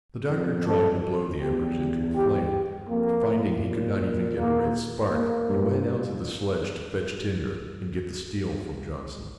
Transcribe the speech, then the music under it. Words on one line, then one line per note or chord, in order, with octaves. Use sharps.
The Doctor tried to blow the embers into a flame, but finding he could not even get a red spark, he went out to the sledge to fetch tinder, and get the steel from Johnson.
F2
A4
E2 G4
G4
F2 A#3
A2
A#2
A#3
A#3
G2